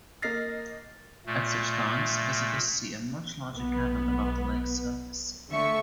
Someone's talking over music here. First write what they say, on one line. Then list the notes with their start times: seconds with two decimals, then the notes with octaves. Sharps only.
At such times visitors see a much larger cavern above the lake surface.
0.22 A#3 D#5 F6 A6 A#6 C7
1.26 A#2 A3
3.51 B1 B3
5.51 D3 A3 E5 C#6